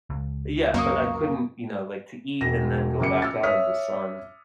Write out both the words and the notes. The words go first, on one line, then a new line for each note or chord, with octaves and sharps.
yeah, but I couldn't, you know, like, to eat and then go back out into sun.
C#2
F#2 A#3 C#6 D#6
E1 A#6
F#1 D6 C#7
E6 F6 A6
C#5 E5 D#6 F6 B6